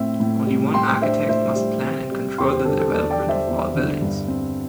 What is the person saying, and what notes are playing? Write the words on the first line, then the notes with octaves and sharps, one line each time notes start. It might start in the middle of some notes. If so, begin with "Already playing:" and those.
Only one architect must plan and control the development of all buildings.
Already playing: A2 C4 E5
A2
G3
A2 G5 C6
D4 C5 E5
A2 C5 E5
G3
C4
G3
E2 G5 C6
G4 C5
D3 A4
A4
E2 A4 D5
D5 G5
G3
C5 E5
E2
D3
G2
C4